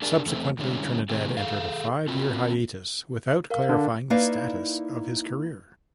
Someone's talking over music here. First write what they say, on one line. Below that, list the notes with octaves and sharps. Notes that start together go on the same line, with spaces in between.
Subsequently, Trinidad entered a five-year hiatus without clarifying the status of his career.
D4 G4 G#4 A#4 D5
E2 A3 C4
D3 G3 G#3 C#4 E4
C3 D#3 G#3 C4 G4
G#4 A4 F5
C4 F4 F#4
A#4 F5
D3 D4
A#3 D#4 E4 B4 D5 F5